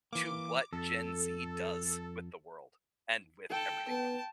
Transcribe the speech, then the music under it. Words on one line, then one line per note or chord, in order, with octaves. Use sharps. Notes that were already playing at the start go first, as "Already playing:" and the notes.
to what Gen Z does with the world and with everything going
E3 A#3 D6
F2 A4
A4 G5
B3 A5